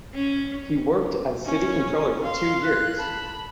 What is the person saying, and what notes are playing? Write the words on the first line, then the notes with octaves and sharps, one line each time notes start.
He worked as City Controller for two years.
C#4
C#4
F5 C6
F#6
A5 B5